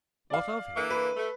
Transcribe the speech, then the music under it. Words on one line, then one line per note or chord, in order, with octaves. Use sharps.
"What of him?"
D5 F5
D3 E3 A#3
B4
A3